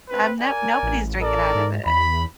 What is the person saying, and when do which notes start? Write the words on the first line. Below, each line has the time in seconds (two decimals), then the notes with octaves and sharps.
Um, no nobody's drinking out of it.
0.10 C4 B4
0.40 A#4 D5 G#5
0.83 A1
1.21 A4 A#4 D5
1.55 G#2
1.86 E2 B5